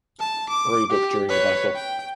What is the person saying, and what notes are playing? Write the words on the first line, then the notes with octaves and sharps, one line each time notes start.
Roebuck during the battle.
A5
D6
G4
B4 C#5
G5